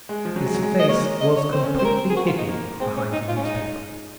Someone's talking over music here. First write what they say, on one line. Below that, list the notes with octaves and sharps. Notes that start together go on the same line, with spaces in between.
His face was completely hidden behind the newspaper.
G#3
F3
F#3
G#3
F#3
G#3
D#5
A#3 C#5
D#5
C#5
C4 C5
C#4
C4 C5
A#4
G#4
F#4
F4
D#4
A#3
G#3 C4
C#4
G#3 D#4
F4
C#4
D#4